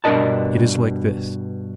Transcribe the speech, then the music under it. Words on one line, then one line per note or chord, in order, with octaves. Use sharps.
It is like this.
G2 B2 D4 A#4 D#5 A5